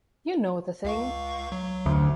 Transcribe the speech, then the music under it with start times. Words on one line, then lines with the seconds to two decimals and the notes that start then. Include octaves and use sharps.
You know the thing.
0.84 C#2 F5 C#6
1.52 F#3
1.86 D2